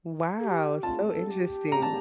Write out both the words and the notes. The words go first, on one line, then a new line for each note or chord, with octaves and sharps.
Wow, so interesting.
A4
G4
F4 A5
A4
A4
G4
A#5
A5